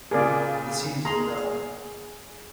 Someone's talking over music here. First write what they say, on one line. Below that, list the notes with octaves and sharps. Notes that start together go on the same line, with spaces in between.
The seat is Nouvelle.
A#2 C#3 G#4 A#4 D5
G#4 A#5 C6